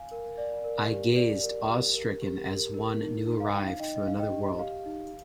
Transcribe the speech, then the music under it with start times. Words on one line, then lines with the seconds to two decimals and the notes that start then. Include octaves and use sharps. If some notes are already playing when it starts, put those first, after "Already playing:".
I gazed awe-stricken as one new-arrived from another world.
Already playing: F5 G#5
0.11 A#4
0.38 D5
0.64 A#4
0.90 G4
1.16 D5
1.43 A#4
1.68 G4
1.95 A#4
2.22 G4
2.48 A#4
2.74 A#4
3.01 D#4
3.27 D#4
3.40 F5
3.53 D#4 G5
3.67 F5
3.79 D#4 D#5 G5
3.96 D#5
4.07 D#4 F5
4.19 D#5 G5
4.32 G4
4.47 D#5
4.58 G4 F5
4.86 D#4